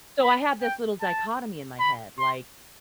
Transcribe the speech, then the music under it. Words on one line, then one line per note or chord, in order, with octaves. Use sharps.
So, I have this little dichotomy in my head like,
B5
G5
A5
B5
C6